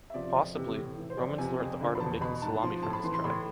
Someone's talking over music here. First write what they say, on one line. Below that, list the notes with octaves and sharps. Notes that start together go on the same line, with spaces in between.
Possibly, Romans learnt the art of making salami from this tribe.
E5
C3 F3 D5
F2
C3 E3
A2
E3
C5
F2 D5
C3 F3 G#5
F2
D3 F3
B5
E2 A5
B2 B5
G#2 A5
F3 C6
A2 A5
B5
E3 C6
C6
A2 B5